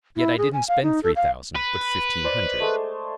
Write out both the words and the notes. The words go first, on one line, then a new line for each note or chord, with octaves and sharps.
Yet I didn't spend three thousand, but fifteen hundred.
E4
G#4
G#5
F5
D#4
A4
F5
B4
C5 D5 D#5
G#3 A3